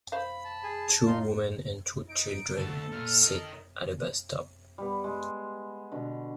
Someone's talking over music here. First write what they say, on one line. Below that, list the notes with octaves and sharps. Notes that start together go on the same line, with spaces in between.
Two women and two children sit at a bus stop.
C5 F5 B5
A5
G#4 G#5
D#4 F4 C6
D#4 D7
D2 A4 A5
A#2 F6
A#4 D#5
G3 B3
G#3
B2 D3